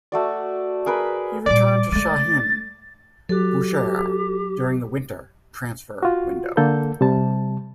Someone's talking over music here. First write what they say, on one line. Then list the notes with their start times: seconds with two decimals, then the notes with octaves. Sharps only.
He returned to Shahin Bushehr during the winter transfer window.
0.12 A3 F#4 D5
0.86 G#4 A#4 B4 B5
1.46 A#2 G3 D5 D6
1.92 G#3 A3 A6
3.29 F#3 F#4 G4 A4
6.03 F4 F#4
6.57 D3 A#3 A4 G6
7.01 C3 G3 A5